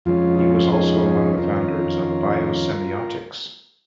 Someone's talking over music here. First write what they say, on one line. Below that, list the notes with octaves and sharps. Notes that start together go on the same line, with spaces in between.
He was also among the founders of biosemiotics.
F2 F3 G#3 C#4 F4
D#4
F4
D#4 G#4
F2 D#3 C#4 F4 A#4